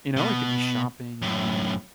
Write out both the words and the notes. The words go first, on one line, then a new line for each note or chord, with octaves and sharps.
you know? It could be shopping, it could be,
B2
F#2 A2